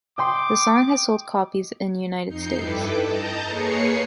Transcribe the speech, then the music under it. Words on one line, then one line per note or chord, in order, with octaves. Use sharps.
The song has sold copies in United States.
D#5 G5 C6 D6
F2 D#4 G6 C7 C#7
G2 E4 A4 B4 G5 D6
D#5 A5 A#5 G6
A#3 G#4 B4 C#5 C7 C#7